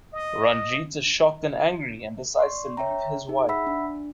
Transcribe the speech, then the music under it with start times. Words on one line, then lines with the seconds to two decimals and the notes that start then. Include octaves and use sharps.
Ranjeet is shocked and angry, and decides to leave his wife.
0.13 D#5
2.38 D5 C6 C#6
2.77 C#5 E5 G5 A#5
3.29 D#4 G#4
3.49 E5 F#5 B5 E6 B6
3.67 D4